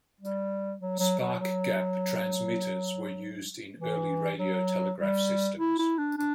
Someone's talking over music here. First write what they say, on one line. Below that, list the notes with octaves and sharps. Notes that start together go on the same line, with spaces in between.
Spark-gap transmitters were used in early radio telegraph systems.
G3
F#3
F#3
F#3
F#3
E3
F#3
G3
E4
E4
D4
D4